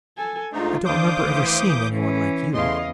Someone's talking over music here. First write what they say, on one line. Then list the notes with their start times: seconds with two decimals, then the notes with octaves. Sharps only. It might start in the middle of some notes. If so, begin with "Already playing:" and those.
I don't remember ever seeing anyone like you.
0.18 A4 G#5
0.52 G#2 A3 D4 D#4 F4
0.85 D#3 D4 C5 F5 D6 D#6 G6
1.20 D2 E3
1.92 E3 C#4
2.54 E2 C#3 A3 D#5 F5 C6